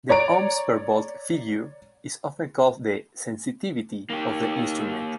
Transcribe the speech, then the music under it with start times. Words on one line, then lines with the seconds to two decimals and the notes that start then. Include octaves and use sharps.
The ohms per volt figure is often called the "sensitivity" of the instrument.
0.09 C#5 D5 A#5 D7
4.10 A#3 D#4 G4